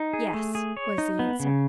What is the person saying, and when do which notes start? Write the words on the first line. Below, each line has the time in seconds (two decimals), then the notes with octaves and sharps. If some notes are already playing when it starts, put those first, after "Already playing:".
"Yes," was the answer.
Already playing: D#4
0.13 G#4
0.34 A3
0.55 G#4
0.77 C#5
0.98 D#4
1.19 B3
1.40 C#3